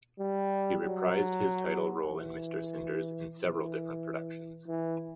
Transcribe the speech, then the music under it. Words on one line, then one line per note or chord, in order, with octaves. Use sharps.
He reprised his title role in Mr. Cinders in several different productions.
G3
F#3
E3
E3
E3